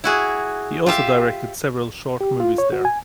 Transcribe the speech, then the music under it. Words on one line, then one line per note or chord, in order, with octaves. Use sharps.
He also directed several short movies there.
E4 F#4 G#4
F4 G4 E5 F5
G4
F4
C#5
F#4
G#5